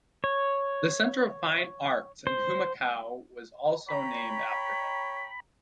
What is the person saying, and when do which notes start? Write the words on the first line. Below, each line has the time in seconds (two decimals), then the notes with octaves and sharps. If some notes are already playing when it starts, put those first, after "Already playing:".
The center of fine arts in Humacao was also named after him.
0.24 C#5
2.27 C5
3.89 C#5 G5 A#5 B5